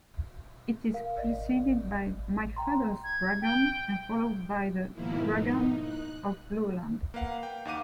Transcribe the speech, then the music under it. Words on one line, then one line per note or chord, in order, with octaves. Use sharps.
It is preceded by "My Father's Dragon" and followed by "The Dragons of Blueland".
A#4 F5
G#1 D5 D#5
G#1
A1
G5 A#5 C6
G#6
G5
G#2 B2 D#3 F3 A#3 E4
D#4
F#6
A#3 B4 F5 F#5
G5
D#2 D#4 F5 F#5 D6 D#7